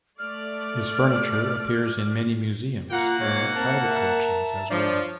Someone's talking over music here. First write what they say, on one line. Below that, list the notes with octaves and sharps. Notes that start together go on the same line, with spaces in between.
His furniture appears in many museums and private collections as well.
A3 D5 F6
A#3 F4 F#5 A#5
G#2 C#5 D6
C4 A#4 A5
A#4 E5 A#5
F3 D4 C#5 D5